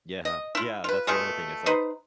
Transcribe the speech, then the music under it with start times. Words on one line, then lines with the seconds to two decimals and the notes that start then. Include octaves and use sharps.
Yeah. Yeah, that's the other thing, it's like,
0.25 D#5
0.55 E4 F4
0.84 F4 B4
1.07 B2 A3 F4 G#4
1.66 D#4 B4 C5